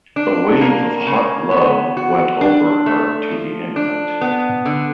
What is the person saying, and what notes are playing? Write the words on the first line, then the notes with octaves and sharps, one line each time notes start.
A wave of hot love went over her to the infant.
D4
A#3
C#3
B3
F#4
D4
A3
F3
D4
B3
D3